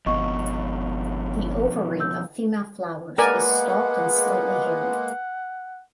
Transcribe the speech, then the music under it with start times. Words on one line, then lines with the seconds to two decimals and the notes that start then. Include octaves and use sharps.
The ovary of female flowers is stalked and slightly hairy.
0.06 G1 F2 B2 D#5 C#6
2.00 E6 G6
3.18 G#3 A#3 B3 A#4 D5 F#5 G#5